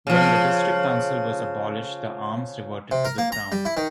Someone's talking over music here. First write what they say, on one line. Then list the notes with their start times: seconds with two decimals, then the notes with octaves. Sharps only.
When the district council was abolished the arms reverted to the Crown.
0.07 C#3 F3
2.91 C3
3.05 A#4
3.18 A#3
3.32 A#5
3.52 G3
3.65 E4
3.77 D#3